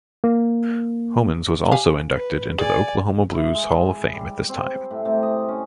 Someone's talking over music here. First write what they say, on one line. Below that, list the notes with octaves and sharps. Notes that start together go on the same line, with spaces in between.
Homans was also inducted into the Oklahoma Blues Hall of Fame at this time.
A#3
G4 F5 G#5
B4
G#4 D5 G#5
E4
G#3
G3
C4
A2
C3
D#5
C#4